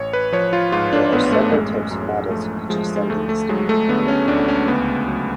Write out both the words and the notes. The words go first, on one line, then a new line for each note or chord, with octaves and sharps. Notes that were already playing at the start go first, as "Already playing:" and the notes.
There are several types of models, each extending the Standard Model.
Already playing: A1 C#5
B4
F3 C#5
F4
G#2 F4
D4
A1 B3
A3
F#2 G#3
F#2
F3 A3
F3 G#3
G#3
D2 A3
A3
F#3 G#3
A3
D3 B3
C#4
D2 D4
C#4
C#2 B3
F#3